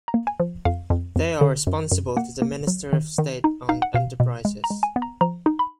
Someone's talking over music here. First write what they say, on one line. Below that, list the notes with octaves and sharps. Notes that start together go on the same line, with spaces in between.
They are responsible to the Minister of State Owned Enterprises.
A#5
A#3
G#5
F3
F2 F5
F2
F2
D3
F#2
F#2
A#3 F#5
A#3
F#3
D#3
D#3
D#4
D#4 F5
F#5
B2 F5
B2
G#3
A#5
G#3
G#5
B3
A#5
F3 A#5
D#4
B5